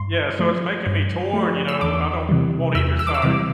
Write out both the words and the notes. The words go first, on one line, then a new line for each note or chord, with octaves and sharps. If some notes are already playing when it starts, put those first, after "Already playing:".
Yeah, so it's making me torn, you know? I don't want either side
Already playing: G2 C6
F3 A3
G2
F3 A3
E6
E2 D6
C3 E3 G3
E2 E6
E6
D6
E6
C3 E3 G3 D6